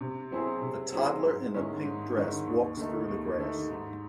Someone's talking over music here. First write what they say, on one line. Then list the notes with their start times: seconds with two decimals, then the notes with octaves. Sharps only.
A toddler in a pink dress walks through the grass.
0.01 C3
0.31 F#3 C4 E4 G#4
0.61 C3
0.92 F#3 C4 E4 G#4
1.23 G#2
1.54 D#3 G#3 C#4 E4
1.85 G#2
2.15 D#3 G#3 C#4 E4
2.46 D#2
2.77 D#3 A3 D#4
3.08 D#2
3.39 D#3 A3 D#4
3.70 G#2